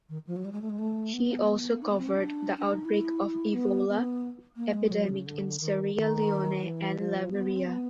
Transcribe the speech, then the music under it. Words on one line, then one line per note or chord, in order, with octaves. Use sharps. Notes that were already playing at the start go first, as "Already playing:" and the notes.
He also covered the outbreak of Ebola epidemic in Sierra Leone and Liberia.
D#3
F3
F#3
G3
G#3
A3
G#3
A3
B3
D#4
B3
C4
C#4
D4
D4
D#4
E4
B3
B3
A#3
G#3
F#3
C#3
D3
D#3
D#3
E3
F3
B3
C4
B3